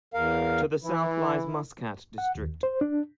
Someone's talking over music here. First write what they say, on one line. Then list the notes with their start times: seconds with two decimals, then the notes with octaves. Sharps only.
To the south lies Muscat District.
0.14 E2 A#4 F5
0.84 E3 E4
2.18 F#5
2.35 D#2
2.63 C5
2.81 D4